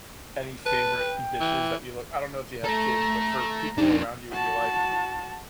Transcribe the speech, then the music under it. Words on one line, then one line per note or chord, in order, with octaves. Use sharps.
any favorite dishes that you look I don't know if you have kids, but for people around you in your life,
B4 A5
G5
E3
A3 A4 A#5
F2 D4 D#4
F#4 A5